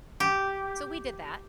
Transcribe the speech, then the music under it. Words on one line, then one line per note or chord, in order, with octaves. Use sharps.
So, we did that
G4